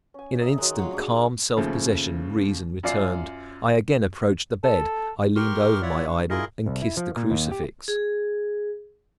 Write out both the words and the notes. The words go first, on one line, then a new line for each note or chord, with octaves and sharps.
In an instant calm, self-possession, reason returned; I again approached the bed; I leaned over my idol and kissed the crucifix.
C#4 G#5
D#4 D#5 E5
D#3 F#3 G#3
F#3 F4 F#4
D4 G#4 C#5 D5 F5
D#2 C#3 F3 A3
F#2 F4 D5 C7
A4
G4 A#4 C6 C#6 F6
E4 F4 C#5 D5 E5 F#5
D4 C#6
E4 F4 G#4 A#4 D#5
C2
E4
F3
A#2
D#2
G4
G#4